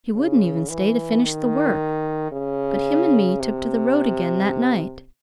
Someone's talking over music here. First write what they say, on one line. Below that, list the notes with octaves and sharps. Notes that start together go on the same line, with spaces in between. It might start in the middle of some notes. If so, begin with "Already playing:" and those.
He wouldn't even stay to finish the work, but him and me took to the road again that night.
C#3
E3
D#3
C#3
C3